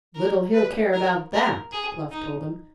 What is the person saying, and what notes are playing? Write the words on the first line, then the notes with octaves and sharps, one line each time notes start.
"Little he'll care about that," Bluff told him.
A#4
B4
A#4
A#4
G#4
D#4